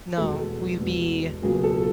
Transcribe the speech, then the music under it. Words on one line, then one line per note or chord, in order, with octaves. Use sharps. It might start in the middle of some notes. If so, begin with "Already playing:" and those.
No. We'd be,
E2 B2 G#3 A4
E2 B2 G#3
C#2 B2 F#3 A#3 G#4
A4